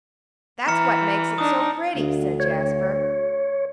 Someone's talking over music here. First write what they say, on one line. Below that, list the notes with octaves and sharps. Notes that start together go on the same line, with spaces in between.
"That's what makes it so pretty," said Jasper.
E3 A#5 F6 C#7
D4 D#4 D#6
D2
C#5